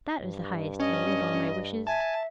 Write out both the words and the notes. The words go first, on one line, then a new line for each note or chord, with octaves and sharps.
That is the highest aim of all my wishes!
G2
C#4 D#5
E5 G#5 A5